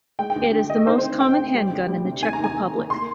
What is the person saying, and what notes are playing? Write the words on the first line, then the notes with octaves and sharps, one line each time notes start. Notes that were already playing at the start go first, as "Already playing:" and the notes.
It is the most common handgun in the Czech Republic.
G#3 G5
G5
D2
D3
D2 D#5
D#3 C5
C5
C4
C4 G5
C4
G3
D2
G3
C3
D#2 G#5
A#5
D#2
G#5
D#3
A#3
C6